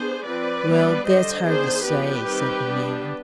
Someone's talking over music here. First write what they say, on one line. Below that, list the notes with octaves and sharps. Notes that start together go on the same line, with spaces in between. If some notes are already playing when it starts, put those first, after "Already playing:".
"Well, that's hard to say," said the man.
Already playing: B3 D4 G#4 C5
F3 C4 B4 D5
G3 B3 D4
D3 G3 D4 C5 D#5
D#3 B3 D4 G#4 C5
F3 B3 D4 G4 B4
D#3 G3 C4
G3 B3 D4